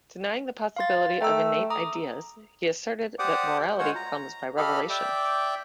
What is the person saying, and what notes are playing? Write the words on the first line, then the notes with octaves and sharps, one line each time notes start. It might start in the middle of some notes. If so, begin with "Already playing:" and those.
Denying the possibility of innate ideas, he asserted that morality comes by revelation.
F5 C6 A6
A3 G5 A#5 E6
A#5 D6 D#6
G4 C5 D5 F#5 D6 D#6
G#3 F4 F#4 C5 C#5 F#5
A#5
G4 A4 D#5 F5 B5 F6
D5 E5 G5 D6